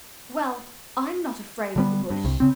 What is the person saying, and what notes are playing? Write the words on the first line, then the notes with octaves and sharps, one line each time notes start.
"Well, I'm not afraid of the Bush."
D3 G3 B3
G2
C2
C#3 C4